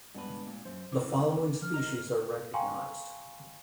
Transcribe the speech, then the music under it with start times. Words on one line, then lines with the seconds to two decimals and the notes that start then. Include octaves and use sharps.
The following species are recognized.
0.15 G2 G#3 B3 D4 B4
0.47 A#2
0.65 F#2 C5
0.92 E2 C#3 E3 D6
1.62 F3 F6
1.74 A#4 D#5 A#5
2.54 F5 G5 G#5 A#5 C6 C#6